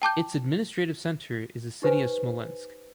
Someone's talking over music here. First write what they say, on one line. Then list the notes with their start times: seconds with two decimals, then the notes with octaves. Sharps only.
Its administrative center is the city of Smolensk.
0.02 G5 A5 D6 G6
1.82 D#4 G4 B4 C5 G#5